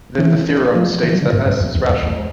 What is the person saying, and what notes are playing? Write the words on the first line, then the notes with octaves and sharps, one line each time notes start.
Then the theorem states that "S" is rational.
E3
F3
E3
F#3
D3
G#2
G2
F2
E2
F2
E2